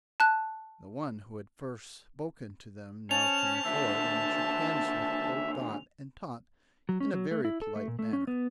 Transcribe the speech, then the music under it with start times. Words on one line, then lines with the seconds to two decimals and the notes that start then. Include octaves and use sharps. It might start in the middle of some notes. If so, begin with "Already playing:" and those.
The one who had first spoken to them now came forward and shook hands with both Dot and Tot in a very polite manner.
0.20 A5 F#6
3.11 C#4 C5 G#5 A5 F7
3.65 D#2 D3 E5
6.89 F#3
7.00 C#4
7.14 F#3
7.31 A3
7.45 E4
7.62 A4
7.76 A3
7.88 A#2
7.99 A3
8.13 C#4
8.27 B3